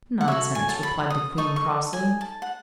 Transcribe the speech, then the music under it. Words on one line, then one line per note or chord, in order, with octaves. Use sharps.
'Nonsense!' replied the queen crossly.
F#5
F#4 A4 C#5 E5
G#5
A5
B5
D#6
D#4 A4 D#5 C#6
C#6
G#5
A5
F#5